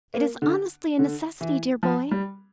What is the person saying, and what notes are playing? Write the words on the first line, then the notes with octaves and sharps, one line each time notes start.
It is honestly a necessity, dear boy.
A#3
D3
D3
E3
F3
G3